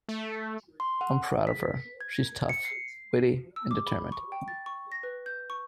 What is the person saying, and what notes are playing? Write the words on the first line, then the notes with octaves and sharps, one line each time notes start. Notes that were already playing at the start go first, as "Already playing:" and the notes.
"I'm proud of her; she's tough, witty and determined".
A3
C6
F#5
B6
G#6
C#7
C7
E6
D6
B5
C#6
G5
A6
C#6
A#6
B4
G6
C#6